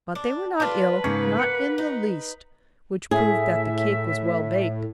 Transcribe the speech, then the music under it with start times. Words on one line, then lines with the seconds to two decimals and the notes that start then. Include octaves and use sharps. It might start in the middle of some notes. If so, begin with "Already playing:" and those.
But they were not ill--not in the least--which proved that the cake was well baked.
0.15 D4
0.60 D4 F4 B4
1.04 G#2 C#3 A#3 C#4
1.40 F#5
1.78 D#4
3.11 A2 G#4 E5